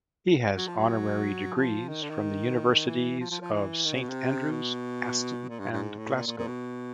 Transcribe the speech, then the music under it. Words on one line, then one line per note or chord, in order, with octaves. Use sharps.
He has Honorary degrees from the Universities of Saint Andrews, Aston and Glasgow.
F#3
F3
F#3
F3
D#3
D3
D#3
E3
F3
F3
F3
E3
D#3
C#3
B2
C3
B2
A#2
G2
G2
G#2
A2
A#2
A#2
A#2
B2